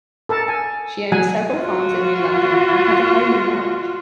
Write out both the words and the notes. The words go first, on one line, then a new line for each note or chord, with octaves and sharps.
She owned several farms in New London, and had a home in Norwich.
A4 A#4 A5
G#5
F#3 G#5
F4 F#4